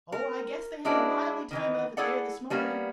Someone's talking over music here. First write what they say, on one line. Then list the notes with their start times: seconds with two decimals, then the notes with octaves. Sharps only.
Oh, I guess they had a lively time of it there this morning.
0.12 A#4
0.85 G#3 C#4 D4 E4 F#4
1.51 D#3 E3 D#4
1.97 E4 G#4 A4 D5 F#5
2.50 G3 A#3 B3 C#4